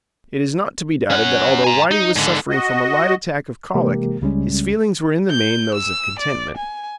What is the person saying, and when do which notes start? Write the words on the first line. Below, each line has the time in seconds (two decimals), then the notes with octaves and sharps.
It is not to be doubted that although Whitey was suffering from a light attack of colic his feelings were in the main those of contentment.
1.11 C#4 F#5
1.64 G#5 A#5
1.91 D#4
2.16 G#2 D3
2.50 F#4 D#5
3.75 C3 E3 G#3 A#3 G4 A#4
4.21 C#2 C#3 G3 G#3 C#4
5.30 G6
5.75 E6
6.19 D5
6.57 G#5